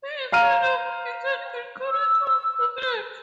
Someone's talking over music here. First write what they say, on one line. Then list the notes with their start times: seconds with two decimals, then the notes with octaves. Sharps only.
He is tied up, beaten, and carried through the village.
0.32 F5 A#5 F6 D#7
1.87 E6